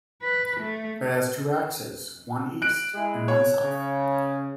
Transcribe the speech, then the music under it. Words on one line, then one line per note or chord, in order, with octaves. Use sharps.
It has two axes, one east and one south.
B4
A3
F#6 D7
G#3 E4 G#4
C#5
C#3